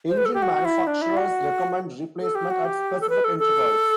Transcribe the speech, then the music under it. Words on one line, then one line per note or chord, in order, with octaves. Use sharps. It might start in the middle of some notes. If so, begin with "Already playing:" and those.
Engine manufacturers recommend replacement at specific intervals.
C5
B4
A4
G4
F#4
E4
D4
E4
F#4
A4
G4
F#4
G4
A4
B4
A4
A4